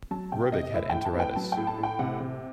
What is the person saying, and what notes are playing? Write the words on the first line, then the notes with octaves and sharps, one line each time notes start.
Robic had enteritis.
F#3 A5
C3 G5
C3 D#5
A2 E5
A2 G5
A5
B3 G5
F#3 A5
A2 G5
A5
A2
G5
C3 F#5
C3